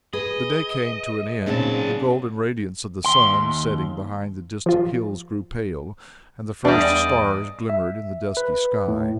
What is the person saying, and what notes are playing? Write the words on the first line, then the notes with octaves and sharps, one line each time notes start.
The day came to an end, the golden radiance of the sun setting behind the distant hills grew pale, and the first stars glimmered in the dusky sky.
G#4 B4 D#5
F#2 A#2 C#3 C4 D#4 A5
D#2 C6
F3 F4
E2 G3 D4 D5 D#5 G5
E5
B4
A2